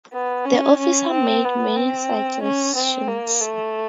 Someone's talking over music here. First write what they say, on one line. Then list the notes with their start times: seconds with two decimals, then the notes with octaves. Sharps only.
The officer made many suggestions.
0.13 B3
0.45 C#4
0.78 C#4
1.11 C4
1.45 B3
1.77 C4
2.42 C#4
2.76 C4
3.08 A#3
3.41 A3